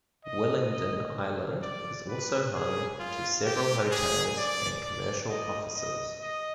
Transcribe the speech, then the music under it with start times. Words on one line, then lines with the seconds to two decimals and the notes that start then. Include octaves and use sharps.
Willingdon Island is also home to several hotels and commercial offices.
0.24 D#5
0.71 D#5
1.62 D5
2.08 B4
2.54 G#4
3.00 F4
3.45 G4
3.91 G#4
4.37 D5
4.83 D5
5.29 D#5
5.75 D#5
6.20 D#5